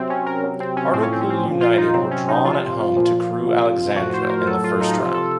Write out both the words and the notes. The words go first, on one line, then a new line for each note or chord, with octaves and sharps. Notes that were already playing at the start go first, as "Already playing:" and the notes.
Hartlepool United were drawn at home to Crewe Alexandra in the first round.
Already playing: C3 F#3 C4
C#4
A#4
C3 F#3
C4
C#4
A2 F3 C4
C#4
C4
C#4
C4
A#2 F3
F4
D#4
C3 F#3 C4
C#4
D#4
C3 F3 F4
A#2 F3
C3 F3
A2 F3 F#4
C5
A#4
A2 F#3 A4
F4
D#4
D#4
C3 F3 F4
A4